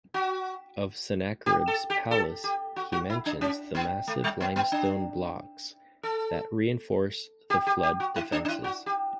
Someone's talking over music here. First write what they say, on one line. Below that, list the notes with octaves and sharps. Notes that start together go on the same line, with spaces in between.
Of Sennacherib's palace, he mentions the massive limestone blocks that reinforce the flood defences.
F#4
G4
A4
G4
A4
G4
F#4
F#4
E4
D4
C#4
B3
A3
G3
B3
B3
D4
A4
G4
G4
G4
F#4
E4
D4
D4
E4
F#4
G4